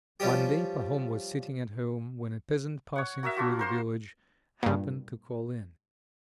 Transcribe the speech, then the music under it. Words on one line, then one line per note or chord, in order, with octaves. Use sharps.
One day Pahom was sitting at home, when a peasant passing through the village, happened to call in.
F3 G3 C#4 G4
C#5 F#5
F#4 A#4 D#5 E5
D4 F4 F#4
A#4 C5 C6
G2 A#2